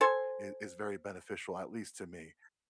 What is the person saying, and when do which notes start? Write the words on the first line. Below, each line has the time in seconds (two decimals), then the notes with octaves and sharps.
is is very beneficial, at least to me.
0.01 A4 C5 G#5